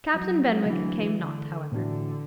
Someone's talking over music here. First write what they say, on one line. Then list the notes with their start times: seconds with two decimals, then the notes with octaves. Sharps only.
Captain Benwick came not, however.
0.12 F#3
0.65 D3 E3 F#3 A3
1.19 D3
1.71 A2 D3 E3 D4 F#4